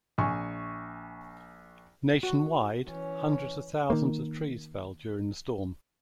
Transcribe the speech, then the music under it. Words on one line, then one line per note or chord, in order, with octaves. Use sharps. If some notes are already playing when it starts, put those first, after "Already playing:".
Nationwide, hundreds of thousands of trees fell during the storm.
A#1 G#5 C#6
F#4
E3 C#4
D#3 A#3